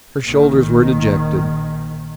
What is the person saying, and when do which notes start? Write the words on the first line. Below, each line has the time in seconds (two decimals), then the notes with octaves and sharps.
Her shoulders were dejected.
0.23 A#1 D#3